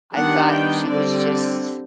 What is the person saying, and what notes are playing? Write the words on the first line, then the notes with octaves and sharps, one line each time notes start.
I thought she was just
D#3 G3 B3 D4 F#5
G5
D3 G3 C4 D5